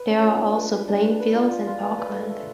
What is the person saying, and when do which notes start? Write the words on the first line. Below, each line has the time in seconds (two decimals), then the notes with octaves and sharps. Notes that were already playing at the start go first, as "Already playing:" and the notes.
There are also playing fields and parkland.
Already playing: B4
0.09 C#4
0.25 F4
0.41 D4
0.57 B4
0.72 B4
0.88 D4
1.04 B4
1.20 B4
1.35 F4
1.51 F4
1.67 F4
1.82 B4
1.99 B4
2.14 A3
2.30 A3